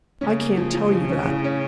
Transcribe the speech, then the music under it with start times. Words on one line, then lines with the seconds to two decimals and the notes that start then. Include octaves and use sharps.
"I can't tell you that."
0.21 C#3 C#4
0.40 A#3
0.57 F3
0.73 F3
0.92 F3
1.09 C#4
1.27 A2
1.44 C#4